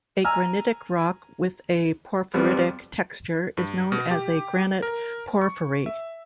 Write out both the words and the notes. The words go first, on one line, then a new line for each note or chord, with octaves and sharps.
A granitic rock with a porphyritic texture is known as a granite porphyry.
G#5 A#5 E6 F6
F2 F3 G3 B3 C4
G2
B2
G4
A#4
C#6
E5